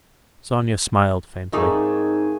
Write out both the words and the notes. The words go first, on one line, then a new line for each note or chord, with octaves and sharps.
Sonia smiled faintly.
G#2 A3 A#3 C4 D#4 G#4